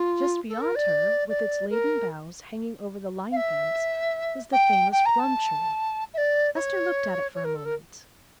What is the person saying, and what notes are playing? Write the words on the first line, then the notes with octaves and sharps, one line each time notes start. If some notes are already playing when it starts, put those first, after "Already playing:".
Just beyond her, with its laden boughs hanging over the line fence, was the famous plum tree. Esther looked at it for a moment.
Already playing: F4
A4
A#4
D5
D5
A#4
F5
E5
G5
G5
A#5
A5
E5
D5
C#5
C#5
A#4
A4
A#4